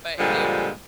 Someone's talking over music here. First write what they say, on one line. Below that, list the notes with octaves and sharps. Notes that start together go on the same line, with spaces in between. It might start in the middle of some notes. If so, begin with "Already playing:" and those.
But it
G2 A#2 D3 F3 G3 G#3